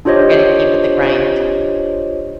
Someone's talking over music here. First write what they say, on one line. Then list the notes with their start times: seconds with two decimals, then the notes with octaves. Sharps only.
we're gonna keep at the grind.
0.05 D4 F4 G4 C5 C#5 D#5